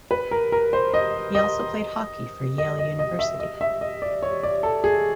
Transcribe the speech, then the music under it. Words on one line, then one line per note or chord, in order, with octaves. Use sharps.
He also played hockey for Yale University.
B4
A#4
A#4
C5
D#5
D#5
D#5
D#5
D#5
E5
D#5
E5
D#5
D5
C#5
D5
A4
G#4